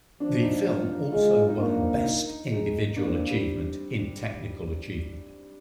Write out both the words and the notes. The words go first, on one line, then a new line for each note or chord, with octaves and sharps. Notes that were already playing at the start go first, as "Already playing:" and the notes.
The film also won "Best Individual Achievement" in technical achievement.
F3 D4
D#4
F4
G#3 F4
F4
D#4
A#3 D4
C4
D#4
G#3
A#3 D4
C4
G3